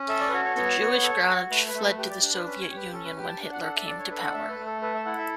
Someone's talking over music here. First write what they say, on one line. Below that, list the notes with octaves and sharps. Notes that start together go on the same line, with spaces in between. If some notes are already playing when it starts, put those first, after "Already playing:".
The Jewish Granach fled to the Soviet Union when Hitler came to power.
Already playing: C#4
A4 E5
D5
B4
F#4 C#5
C#5
B3 C#5
B3
A4
F#4
A3 B4
B4
A3 A4
B4
G4 B4
D5
D4
B4
C#4 B4
C#5
G4
B4
C#4 A4
B4
G4 B4
G5
A5
D4
F#5
A4 F#5
E5
D4 D5
C#5
A4 B4
F#5
A3 E5
B4
A3
A4
A4 B4
E5
E4 F#5
E5